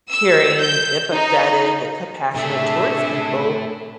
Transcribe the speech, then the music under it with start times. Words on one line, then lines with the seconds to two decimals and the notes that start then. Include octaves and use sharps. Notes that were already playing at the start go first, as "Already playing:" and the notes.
caring, empathetic, and compassionate towards people,
0.10 E6
0.60 G6
1.12 D#4
2.35 A2 C3 A3 D4 G#4 E5